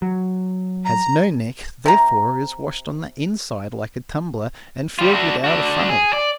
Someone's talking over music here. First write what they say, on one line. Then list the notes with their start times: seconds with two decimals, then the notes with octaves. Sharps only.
Has no neck, therefore is washed on the inside like a tumbler, and filled without a funnel.
0.02 F#3
0.84 A#5
1.86 C3 A#5
4.99 G3 F4
5.13 D4 F#4
5.44 D4 F#4
5.89 G#4
6.13 D5